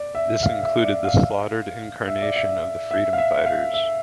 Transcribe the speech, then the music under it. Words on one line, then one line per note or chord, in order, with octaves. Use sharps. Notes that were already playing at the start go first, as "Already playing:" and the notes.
This includes the slaughtered incarnation of the Freedom Fighters.
Already playing: D5
E5
F5
E5
D5
F5
E5
D5
E5
E5
F5
E5
F5
E5